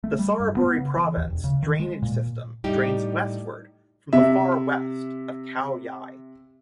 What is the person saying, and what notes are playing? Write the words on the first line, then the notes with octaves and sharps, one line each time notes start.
The Saraburi Province drainage system drains westward from the far west of Khao Yai.
A3
G3
G2
B3
C#3
E3
D#2
E1
C#3
D#3
G#3
A#2
A2 G3 D#4 G4
C3 E5